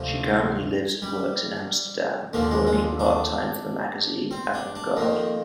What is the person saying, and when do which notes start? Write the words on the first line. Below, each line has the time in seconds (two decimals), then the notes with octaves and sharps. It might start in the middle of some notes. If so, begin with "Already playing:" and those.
She currently lives and works in Amsterdam, working part-time for the magazine AvantGarde.
Already playing: D2 C3 F3
1.02 G3
2.33 D#2 D3 F3 A#3
2.51 G#3
2.67 G#3
3.00 D4
4.31 C4
4.54 D4
4.75 D4
4.97 F2 D#3 A#3